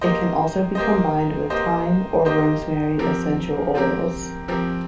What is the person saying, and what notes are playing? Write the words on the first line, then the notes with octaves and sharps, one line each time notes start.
It can also be combined with thyme or rosemary essential oils.
A#3 G4 C5 D#5
A#3 G4 C5 D#5
A#3 G4 C5 D#5
A#3 G4 C5 D#5
F3 C4 G4 A#4
F3 C4 G4 A#4
F3 C4 G4 A#4